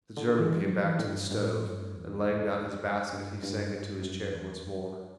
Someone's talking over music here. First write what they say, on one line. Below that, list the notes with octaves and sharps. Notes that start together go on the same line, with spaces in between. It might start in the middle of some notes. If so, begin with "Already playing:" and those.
The German came back to the stove, and, laying down his basket, he sank into his chair once more.
D3
E3
F#3
E3
A2
G2
G2
A2
G2
E2
F#2
G2
G2
G2
F#2
E2
F#2